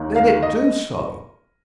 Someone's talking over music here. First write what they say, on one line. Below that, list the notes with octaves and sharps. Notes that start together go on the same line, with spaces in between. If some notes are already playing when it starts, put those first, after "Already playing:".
"Let it do so."
Already playing: D#2 D#3 A#3 D#4
F5
D#5